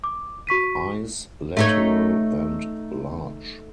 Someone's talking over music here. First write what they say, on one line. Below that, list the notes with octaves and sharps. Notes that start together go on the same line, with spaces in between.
Eyes lateral and large.
D6
F#4 C#6 B6 D#7
A3 D#4 C#5